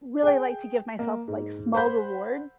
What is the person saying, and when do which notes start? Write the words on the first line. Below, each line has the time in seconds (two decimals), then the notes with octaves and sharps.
really like to give myself, like, small rewards
0.23 G#4 G5
0.99 A#3
1.28 G#2
1.74 C5 F#5 B5 G6